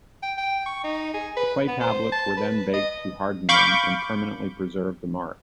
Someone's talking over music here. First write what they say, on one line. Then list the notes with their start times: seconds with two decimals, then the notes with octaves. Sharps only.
The clay tablets were then baked to harden them and permanently preserve the marks.
0.22 G5
0.37 G5
0.66 C#6
0.83 D#4
1.14 G#4
1.36 B4
1.67 B3
1.80 C5
2.12 A5
2.37 B4
2.73 D#5
3.49 F5 B5 C#6 D6 G6